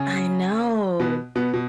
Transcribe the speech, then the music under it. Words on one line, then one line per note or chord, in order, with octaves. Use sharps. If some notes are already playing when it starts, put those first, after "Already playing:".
I know.
Already playing: C#3 C#4
B2 B3
B2 B3
B2